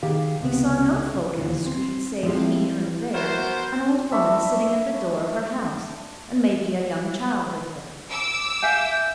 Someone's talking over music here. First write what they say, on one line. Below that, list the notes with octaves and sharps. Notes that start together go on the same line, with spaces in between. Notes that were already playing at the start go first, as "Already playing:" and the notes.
He saw no folk in the street save here and there an old woman sitting at the door of her house, and maybe a young child with her.
D#3 G4 G#4 F5
C#2 C3 B3
D#2 D3 E3
C4
F3 G#3 C4 E4 G4
B3 F#4 A#4 C5
D4 E5 B5 C#6
D6 E6
E5 F5 G#5 G6